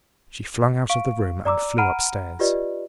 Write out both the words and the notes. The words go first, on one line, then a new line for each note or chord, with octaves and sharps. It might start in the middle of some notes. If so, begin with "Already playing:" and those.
She flung out of the room and flew upstairs.
F5 C#6 D7
D5 A#5 D6 E6
F#5 A#5 B5 F6 D7 D#7
F4 G4 B4 D5 D#5